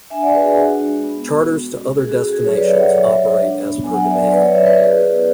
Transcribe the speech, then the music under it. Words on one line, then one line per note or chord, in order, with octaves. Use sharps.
Charters to other destinations operate as per demand.
D4 E5 G#5
D5 F#5
F#4 G#4 B4
G#4
D4 F#4
G#3
B3
F#4
G#3
C#4
C#4 G#4
F#4 A4
C#4 F#4
G#4
F#3 A4 C#5
B4 D5
F#3 C#5 E5
D5 F#5
E4 C#5 E5
G#3
D4
B3
F#3 G#5
F#5
E5
F#3 D5 F#5
F#3 B4 D5
C#5 E5
C#4 C#5 E5
B4 D5
E4 G#4 B4
B3